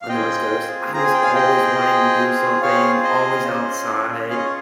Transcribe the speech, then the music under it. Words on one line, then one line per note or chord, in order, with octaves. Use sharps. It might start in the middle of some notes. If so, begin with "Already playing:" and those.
on the West Coast, I was always wanting to do something, always outside,
F5
C4 F4 G#4 D#5 G5
C4 F4 G#4 A#5
G#5
G5
F5 G#5
D#5 G5
C4 F4 G#4
C4 F4 G#4 C#5 F5
C5 D#5
C#4 F4 G#4
C#4 F4 G#4 F5
D#5
C#5